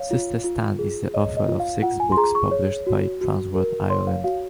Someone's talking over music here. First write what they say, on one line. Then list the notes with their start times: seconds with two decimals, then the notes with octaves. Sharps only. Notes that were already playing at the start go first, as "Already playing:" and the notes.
Sister Stan is the author of six books published by Transworld Ireland.
Already playing: C#5 F5
0.11 F4
0.44 F4
0.79 G#4
1.14 C#5 D#5
1.37 D#5
1.48 F4
1.60 F5
1.83 F4 F#5
2.00 G#5
2.12 C6
2.17 G#4 A#5
2.35 C#6
2.51 C#5
2.87 F#4
3.21 F#4
3.55 A#4
3.90 C#5 C6
4.07 F5
4.24 F#4 F5